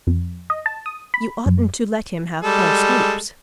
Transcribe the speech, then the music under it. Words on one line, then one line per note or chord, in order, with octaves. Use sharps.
"You oughtn't to let him have false hopes."
F2
D#5
A5
D#6
B5
F#2
G3 G#3 A4